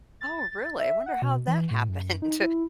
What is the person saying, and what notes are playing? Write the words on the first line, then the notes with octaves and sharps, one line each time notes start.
Oh, really? Wonder how that happened.
A6
E5
F#5
B2
E3
A2
F#2
D#4
E4